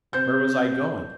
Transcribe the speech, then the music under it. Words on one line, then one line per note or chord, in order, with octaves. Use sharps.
Where was I going?
C3 C5 G6